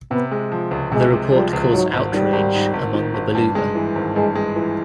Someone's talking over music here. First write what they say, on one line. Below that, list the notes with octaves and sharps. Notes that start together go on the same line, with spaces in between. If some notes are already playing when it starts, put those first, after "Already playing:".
The report caused outrage among the Baluba.
C3 B3
G#3
F3
C#2
C3 G#3
G#3
F3 G3
C#2
G#2 F#3
G#1
D#3 G3
G#1
G#2
G#1
D#3
G#1
G2
G#3
E3
G#1
G2 G#3
G#3
E3